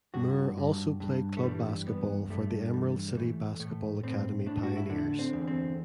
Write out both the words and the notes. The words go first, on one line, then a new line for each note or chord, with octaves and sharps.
Moore also played club basketball for the Emerald City Basketball Academy Pioneers.
G2 F#4
G2
G2
A3
E3 G3
G2 B3
G2 A3
E3 G3
G3
E3 A3
A2 A3
A2 C4
A2 D4
F#4
E4
D3 D4
C4
E2
C4